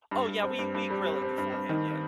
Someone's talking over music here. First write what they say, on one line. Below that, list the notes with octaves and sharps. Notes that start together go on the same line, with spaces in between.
Oh, yeah, we we grill it beforehand, yeah.
G2
G2
C4
G2
G2
G3
C4
C4
G2
G2
D#3